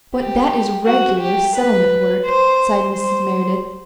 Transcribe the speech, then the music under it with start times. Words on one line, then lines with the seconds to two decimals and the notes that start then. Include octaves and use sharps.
"But that is regular settlement work," sighed Mrs. Merideth.
0.16 G4
0.85 F#4
1.20 G4
1.56 B4
2.26 C5
2.96 C5